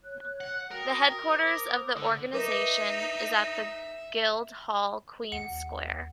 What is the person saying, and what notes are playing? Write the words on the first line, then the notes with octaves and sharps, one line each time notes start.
The headquarters of the organisation is at the Guild Hall, Queens Square.
C#5 F#6
F#5
F#4 A#4 G5 D#6
C5 D6 D#6
D3
D#4 A#4 B4 E5 D6
D#2 F#5